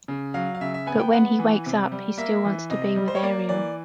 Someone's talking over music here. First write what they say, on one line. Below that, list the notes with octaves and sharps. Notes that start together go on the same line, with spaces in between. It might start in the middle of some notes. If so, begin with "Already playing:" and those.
But when he wakes up, he still wants to be with Aeriel.
C#3
F#3 F5
F5
C#3 E5
E5
B3 G#5
G5
B3 F#5
E3
C3
G3
A#3 E5
E3
C3 D#5
G3
C5
C#5
A#3 D5
E3 D5